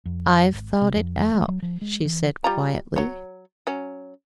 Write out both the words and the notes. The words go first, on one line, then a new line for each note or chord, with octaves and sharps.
"I've thought it out," she said quietly.
F2
G#1
C3
F2
A3
F#3
F3
G#3
E3
G3 F4 A#5
F#3 C#5
F#3 C#4